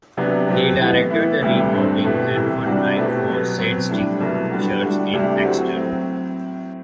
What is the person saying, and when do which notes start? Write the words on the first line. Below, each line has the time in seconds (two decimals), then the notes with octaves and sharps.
He directed the Remodeling and Fund Drive for Saint Stephen Church in Exter.
0.17 C3 F#3 B3 D4 G4
0.48 B2 F#3 C4 G4
0.79 A2 E3 B3
1.10 A2 E3 B3 E4
1.41 D2 C3 E3 G3
1.72 G2 D3 A3 C4
2.03 B2 A3 E4 G4
2.34 C2 C3 E3
2.66 C3 G3 D4 F#4
2.97 B2 A3 C4 E4 G4
3.27 B2 F#3 B3
3.59 B2 F#3 C4
3.89 A2 G3 D4
4.20 C2 B2 F#3 A3
4.51 D3 G3 B3 F#4
4.82 A2 G3 D4 F#4
5.13 D2 C3 G3 D4 G4
5.44 A2 F#3 C4 F#4
5.76 A2 F#3 C4